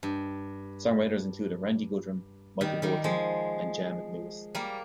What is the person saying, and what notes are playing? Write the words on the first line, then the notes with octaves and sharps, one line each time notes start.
Songwriters included Randy Goodrum, Michael Bolton and Jam and Lewis.
G2
D#3 G3
D#3 G3
F3 G#3
G3 A#3